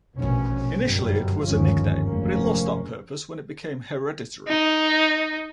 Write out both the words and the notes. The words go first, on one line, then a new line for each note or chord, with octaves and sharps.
Initially, it was a nickname, but it lost that purpose when it became hereditary.
F1 A#1 B2 C#4
G1 F#2 G3
G1 D#2 G#2 D#3 F3 C#4
F1 F3 G#3 A#3 C#4
D#4